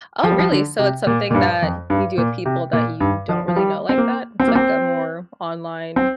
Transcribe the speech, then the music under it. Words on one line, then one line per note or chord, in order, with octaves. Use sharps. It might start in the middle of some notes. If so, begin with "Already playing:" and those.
Oh, really? So, it's something that you do with people that you don't really know like that? It's like a more online
F3
G3
F3
D3
C3
A#2
A#2
G2
F2
G2
A#2
C3
A#2
G2
F3
F3
G3
C4
A#3
C4
A#3
C4
C4